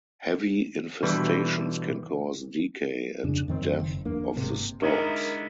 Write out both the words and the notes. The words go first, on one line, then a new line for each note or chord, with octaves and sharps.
Heavy infestations can cause decay and death of the stalks.
B2 D3 E3 G3 B4
F2 C#3 D4
F#2 D#3 C4
F#1
E2 A#3 D4
G1 G#2 C3 A#3
D3 G#3 B3 D#4 E4 A#4